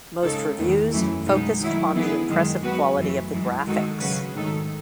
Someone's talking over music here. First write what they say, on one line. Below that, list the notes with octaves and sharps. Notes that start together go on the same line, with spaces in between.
Most reviews focused on the impressive quality of the graphics.
C#3 G#3 D#4 A4
E2 D#3 A3
F#2 E3 A3 E4
B2 G#3 B3 D#4
D#3 F#3 A3 E4
E3 B3 E4 G#4 B4
F#2 D#3 G#3
F#3 B3 F#4 B4
F#2 E3 A3
F#2 E3 G#3
D#3 G#3 D#4 F#4 A4
C#3 F#3 C#4 F#4 B4
G#2 D#3 A3 D#4 A4